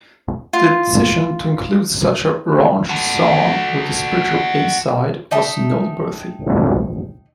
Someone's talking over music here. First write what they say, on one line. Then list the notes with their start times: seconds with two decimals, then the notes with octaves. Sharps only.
The decision to include such a raunchy song with the spiritual A-side was noteworthy.
0.53 F4
2.89 F#4 A4
5.31 D#4 E5 G5 A5